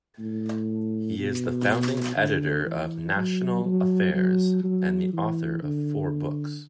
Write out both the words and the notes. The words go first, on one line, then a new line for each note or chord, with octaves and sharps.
He is the founding editor of "National Affairs" and the author of four books.
A2
B2
D3
E3
F#3
F#3
F#3
F#3
E3
D3